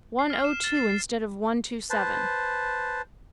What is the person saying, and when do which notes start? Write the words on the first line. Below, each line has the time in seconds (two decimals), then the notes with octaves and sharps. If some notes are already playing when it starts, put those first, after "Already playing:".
One O Two instead of One Two Seven.
0.19 C7
0.30 F6
0.44 E7
0.64 A6
0.77 C7
0.89 C7
1.90 B4 C5 A5